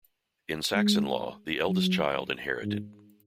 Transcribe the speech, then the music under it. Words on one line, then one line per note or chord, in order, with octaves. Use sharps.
In Saxon law, the eldest child inherited.
G#3
F#3
G#2